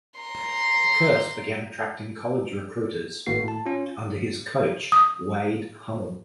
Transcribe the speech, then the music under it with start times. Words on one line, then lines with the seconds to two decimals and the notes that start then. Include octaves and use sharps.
Kearse began attracting college recruiters under his coach Wade Hummel.
0.19 A#5 C6
3.26 G#1 A2 A#3 F#4 C7
3.44 A2 A5
3.66 C#4 F4
4.92 D#6